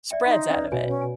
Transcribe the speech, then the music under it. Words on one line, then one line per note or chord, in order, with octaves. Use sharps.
spreads out of it.
D5 E5 G5
D#4 C6
C#4 B4 D5
B2 F#4 B4 C#5 G#5
C#4
G#5